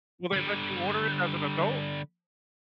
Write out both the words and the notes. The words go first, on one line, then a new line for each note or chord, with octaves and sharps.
Will they let you order it as an adult?
D3 G3